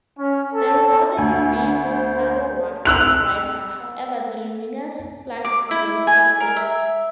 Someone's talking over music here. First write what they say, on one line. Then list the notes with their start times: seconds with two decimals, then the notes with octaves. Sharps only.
The resulting beam is narrower and brighter, however the luminous flux remains the same.
0.19 C#4
0.55 A4
1.17 D2 G#5
1.84 C5
2.85 E6 F#6 F7
5.45 D6
5.71 E4
6.07 G#5
6.40 A#4
6.56 E5